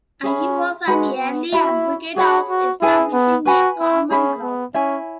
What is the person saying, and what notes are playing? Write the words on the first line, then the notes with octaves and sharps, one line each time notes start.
Agee was an early advocate of establishing a common ground.
C#4 G#4 E5 B5
G#3 F#4 B4 F#5 B5
B3
E4 F#4 E5 B5
F#4 G#4 C#5 F#5 B5
F#4
E4 G#4 B4 G#5
B3
F#4 B4 G#5 B5
E4
C#4 G#4 E5 B5
B3
C#4 E4 C#5 E5 G#5